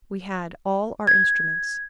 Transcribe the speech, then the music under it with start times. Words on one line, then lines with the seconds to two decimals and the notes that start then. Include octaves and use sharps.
We had all our instruments.
1.07 G#6